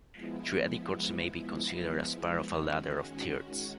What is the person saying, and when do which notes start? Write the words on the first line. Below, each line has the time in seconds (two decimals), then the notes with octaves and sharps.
Triadic chords may be considered as part of a ladder of thirds.
0.12 F3 G#3 B3 E4
2.50 D#3 G#3 C#4 F#4